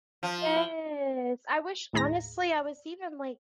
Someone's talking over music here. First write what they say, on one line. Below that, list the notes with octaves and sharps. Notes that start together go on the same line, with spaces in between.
Yes. I wish honestly, I was even like,
F3
D#2 A2 G#4 A#5 A#6